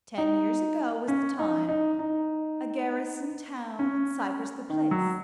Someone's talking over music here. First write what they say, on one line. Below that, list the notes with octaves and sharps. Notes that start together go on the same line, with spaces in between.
Ten years ago was the time, a garrison town in Cyprus the place.
D#4
C#4
D#4
D#4
D#4
C#4
D#3
F#3